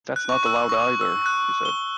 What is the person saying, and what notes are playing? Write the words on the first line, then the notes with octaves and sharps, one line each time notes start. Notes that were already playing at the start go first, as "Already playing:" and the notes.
"That's not allowed either," he said.
F#6
C#6
E6
C#6
E6
F#6
G7